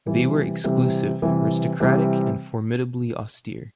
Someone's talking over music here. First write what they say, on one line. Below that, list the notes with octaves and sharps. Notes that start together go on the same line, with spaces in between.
They were exclusive, aristocratic, and formidably austere.
C3 E3 G3
C3 E3 G3
C3 E3 G3
C3 E3 G3